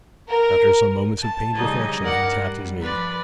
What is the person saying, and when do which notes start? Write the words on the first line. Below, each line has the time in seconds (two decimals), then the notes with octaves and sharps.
After some moments of pained reflection he tapped his knee.
0.30 A#4
1.21 A5
1.54 C#3 F3 G3 D#4 D#5 G#6
2.00 G2 A#4 D5 F#5 F#6
2.34 G3
2.81 F3 B4 D5 B5